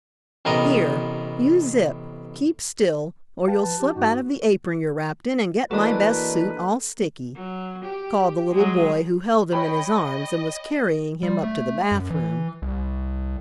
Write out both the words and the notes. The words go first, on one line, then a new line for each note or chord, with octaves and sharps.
"Here, you Zip, keep still, or you'll slip out of the apron you're wrapped in and get my best suit all sticky," called the little boy who held him in his arms and was carrying him up to the bathroom.
A1 C3 B3 A#4 D#5 A#5
B4 F5 G5 A5
F3 A5
G4
G2 D#4 F#4
E3 A#3 D4 F#4 A4 B4 D#5
F#3
G4
F#3 G#3
C#5 D#5 G5 B5
G3
A3
F#2
E3
C2